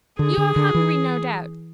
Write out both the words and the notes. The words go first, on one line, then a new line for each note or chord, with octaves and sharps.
You are hungry, no doubt.
D3 G#4
D3
D3
E3